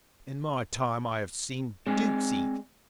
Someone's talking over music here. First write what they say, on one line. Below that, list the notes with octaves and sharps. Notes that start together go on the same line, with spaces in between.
In my time I have seen dukes eat.
G#3 C4 D5 G#5